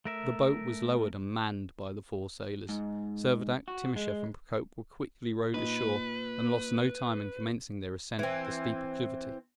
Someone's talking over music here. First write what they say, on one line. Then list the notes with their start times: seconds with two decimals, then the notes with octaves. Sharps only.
The boat was lowered and manned by the four sailors; Servadac, Timascheff and Procope were quickly rowed ashore, and lost no time in commencing their ascent of the steep acclivity.
0.05 A3 A#4 E5
2.69 G#2
3.68 F#4
3.96 G#3
5.54 A#2 D#4 B4
8.19 E3 C4